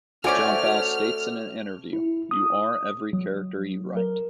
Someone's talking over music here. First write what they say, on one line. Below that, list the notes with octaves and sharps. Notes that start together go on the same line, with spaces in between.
John Fowles states in an interview: You are every character you write.
A3 C#4 F#4 C5 D5 G#5 F6 D7
E4
D#6
F#3
A#4